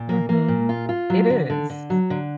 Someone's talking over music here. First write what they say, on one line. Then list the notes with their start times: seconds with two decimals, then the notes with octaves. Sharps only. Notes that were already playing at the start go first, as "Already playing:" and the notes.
Mhm, it is.
Already playing: A#2
0.09 A#3
0.29 A#3
0.48 A#2
0.69 F4
0.89 F4
1.10 F#3
1.30 D3
1.50 D3
1.70 D3
1.90 F#3
2.10 D3